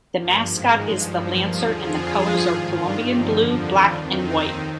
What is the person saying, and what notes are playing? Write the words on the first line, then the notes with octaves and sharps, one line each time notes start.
The mascot is the Lancer and the colors are Columbia blue, black, and white.
G2 F3 A#3
G#2 D#3 G#3
G2 F3
G2 F3 A#3
D#2 D3 F3 F4 G#4
F2 D3 F3 F4 G#4
G2 F3
G#2 D#3
G2 D#3 D4 F4
G2 D3 F3 C4 D#4
F2 D3 F3 A#3
D#2 D#3 D4 F4
F2 D#3 C4 D#4
D#2 D#3